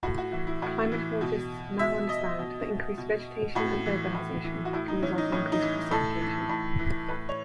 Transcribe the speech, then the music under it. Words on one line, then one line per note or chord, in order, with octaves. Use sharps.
Climatologists now understand that increased vegetation and urbanization can result in increased precipitation.
A2 F#4
F#4
E3 F#4
E4
A2 F#4
E3
B2
B2 E5
D#5
B2
B2
A2 F#4
E3
A2
E3
F#4
A2 E4
D#4
E3 C#4
D#4
A2 C#4
D#4
E3
A2 A4
E3
A2
E3
A2 B4
C#5